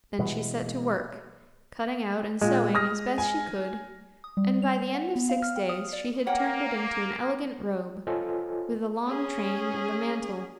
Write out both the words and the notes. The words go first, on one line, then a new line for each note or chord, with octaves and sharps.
Then she set to work, cutting out and sewing as best she could, and by the end of six days she had turned it into an elegant robe with a long train and a mantle.
B2 E3 G#3
A#2 G#3
D#6 F6 A#6
G#5
D#6
G3
F7
F#5
B3
F5
F6
G5
D#6
D5
A#3 C#5 F#5 G5
F4 A4 C5 C#5 D#5 G#5
C#4 G#4